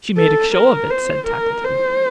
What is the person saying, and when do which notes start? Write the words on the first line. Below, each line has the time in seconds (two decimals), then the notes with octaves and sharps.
"She made a show of it," said Tackleton.
0.18 A4
0.55 A#4
0.91 C5
1.28 A#4
1.64 C5